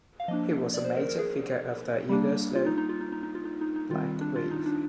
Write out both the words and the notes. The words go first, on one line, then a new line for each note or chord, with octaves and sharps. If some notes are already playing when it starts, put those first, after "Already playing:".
He was a major figure of the Yugoslav Black Wave.
F5
F3 A#3 D4 D#5
D5
C5
A#4
A#4
G#4
G3 A#3 D4
F4
D#4
D#4
F4
D#4
D#4
D#4
F4
D#4
D#4
D#4
D#3 G3 C4 F4
D4
F4
D#4
D4